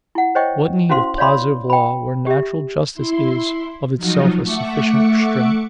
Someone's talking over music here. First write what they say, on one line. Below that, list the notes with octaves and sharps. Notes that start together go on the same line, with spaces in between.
What need of positive law where natural justice is, of itself, a sufficient restraint?
E4 F#5
C5 C#5 D#5 E5 G5 C#6
C#4 E4 F#4 C5 F5 C6
C#5 D5 F5 B5 C6
G5 B5
G4 E5
E4 C6
F3 F#3 D#4 F4 F#4
A3 E5 F#5 C#6 D6 C#7